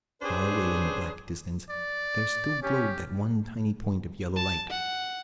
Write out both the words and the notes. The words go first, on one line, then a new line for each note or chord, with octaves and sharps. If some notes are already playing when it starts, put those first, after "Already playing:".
Far away in the black distance there still glowed that one tiny point of yellow light.
C#4 D4 G4 G#4 B4 C5
D5
C#4 G4
A5
F#5